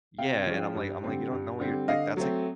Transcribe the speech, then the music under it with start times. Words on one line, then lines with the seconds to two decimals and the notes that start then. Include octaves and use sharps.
Yeah, and I'm like I'm like, "You don't know what you're" like, that's, like
0.18 C3 F5 G5
0.47 F3 G#3 C#4
0.75 G2
1.03 D3 G3 C4
1.32 G2
1.60 D3 G3 C4
1.88 D3 D#5 F5
2.17 F#3 A3 C4